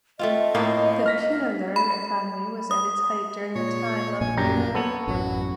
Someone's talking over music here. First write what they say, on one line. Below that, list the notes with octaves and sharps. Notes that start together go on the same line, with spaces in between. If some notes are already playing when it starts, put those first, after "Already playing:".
The Punalur economy was at its height during the time of Punalur Paper Mill.
A3 C4 F4 D#5
A2 A#3 D#4 F4
F6 A#6 B6
B5
D#6
A#2 C#5
A#1 A#2 G#5
F#2 D4 G4 A#5
B3 A4 C#5
A1 F#2 F#4